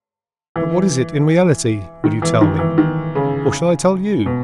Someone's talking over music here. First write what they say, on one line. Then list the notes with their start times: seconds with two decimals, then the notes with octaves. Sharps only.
But what is it, in reality, will you tell me? Or shall I tell you?
0.56 E3
2.04 D#3
2.22 E3
2.41 D#3
2.59 E3
2.78 D#3
3.15 C#3
4.26 B2